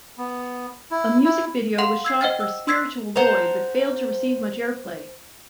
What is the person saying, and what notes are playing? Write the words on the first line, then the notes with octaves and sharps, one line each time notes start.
A music video was shot for "Spiritual Void" but failed to receive much airplay.
B3
E4
E4
A4 F5 F#5 C6 F7
E6 G#6 C7
C5 D#5 F#5 G5 F6 A6
E6
C6 E6 G#6 B6 C7
C5 F#5 A5 A#5